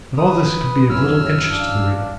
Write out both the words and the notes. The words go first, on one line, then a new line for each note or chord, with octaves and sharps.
But all this can be of little interest to the reader.
B4 D#6
F#2 E3 C#5 E6 F6
D4 F5